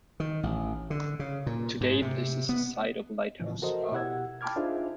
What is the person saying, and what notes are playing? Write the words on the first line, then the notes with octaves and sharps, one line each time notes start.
Today this is the site of a lighthouse.
D#3
A1
D3
C#3
A#2
G#2
C3
B3
A2 C#3 E3 F3
F#4 A4 A#4 C5 D#5
B2 E4 G4 F#5 E6 G#6
G5 A5 B5 D6 F6 G#6
D4 D#4 F4 G#4 C5 E5